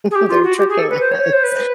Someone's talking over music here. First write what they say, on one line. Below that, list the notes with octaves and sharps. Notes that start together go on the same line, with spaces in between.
they're tricking us.
G#4
G4
F4
F#4
G4
G#4
A4
B4
C5
C#5
C#5
C5
B4